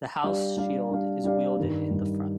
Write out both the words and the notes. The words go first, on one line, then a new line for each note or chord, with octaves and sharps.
The house shield is welded in the front.
G3 D4 G4 D5 F5
G3 D4 G4 D5 F5
G3 D4 G4 D5 F5
G3 D4 G4 D5 F5
G2 D#3 G3
G2 D#3 G3